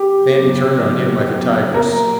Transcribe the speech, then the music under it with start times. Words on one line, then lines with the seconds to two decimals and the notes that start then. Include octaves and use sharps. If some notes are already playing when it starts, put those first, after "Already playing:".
Fannie turned on him like a tigress.
Already playing: G4
0.18 F#2 C#3 F#3 B3
1.74 A#2 F#3 A#3 A#4